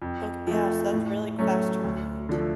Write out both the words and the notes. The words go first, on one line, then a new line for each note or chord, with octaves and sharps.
Ok yeah, so that's a really fast turnaround.
F2
F3 A3
A2
F#3 A3 C#4
D2
D3 F3 A3